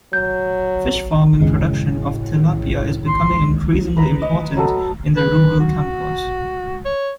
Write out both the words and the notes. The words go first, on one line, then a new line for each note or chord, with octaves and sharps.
Fishfarming production of Tilapia is becoming increasingly important in the rural campos.
F#3 G6
F#2 A2 C#3 G#3
C6
B4 A#5 B5
D#5
F#3 A4
B4
F#4
C#5